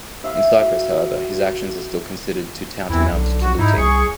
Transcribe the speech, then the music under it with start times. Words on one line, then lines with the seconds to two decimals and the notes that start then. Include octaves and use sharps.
In Cyprus however, his actions are still considered to tantamount to looting.
0.24 E5 F5
0.61 F#4
2.89 E2 E3 C4 E4
3.12 B1 D3
3.41 F#4
3.58 G#2 D#4 E4
3.77 C2 G#4 C#6